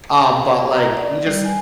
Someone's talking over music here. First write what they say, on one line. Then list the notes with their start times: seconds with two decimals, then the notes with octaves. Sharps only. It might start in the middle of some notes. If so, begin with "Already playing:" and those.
Um, but, like, you just
0.25 F5
0.71 A#5
0.97 D5
1.26 G3
1.45 G#5